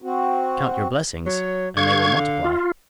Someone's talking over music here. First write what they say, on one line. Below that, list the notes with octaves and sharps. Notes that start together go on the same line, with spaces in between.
"Count your blessings" and they will multiply.
C4 F#4
F#3 C#5
D3 F5 C#6 G#6
F4